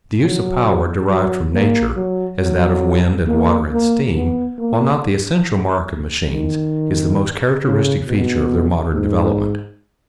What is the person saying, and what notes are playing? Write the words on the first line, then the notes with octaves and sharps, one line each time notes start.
The use of power derived from nature, as that of wind and water and steam, while not the essential mark of machines, is the most characteristic feature of their modern development.
F#3
F#3
A#3
F#3
F#3
A#3
A#3
B3
A#3
D#3
C#3
B2
G#2